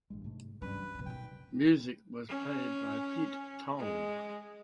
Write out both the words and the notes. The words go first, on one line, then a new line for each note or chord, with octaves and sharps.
Music was by Pete Tong.
A1 G2 G#3
G#2 C3 A3
G2 E3 F#3 C#4 B4
B2 F3
B2 D#3 G5
C#4
G#3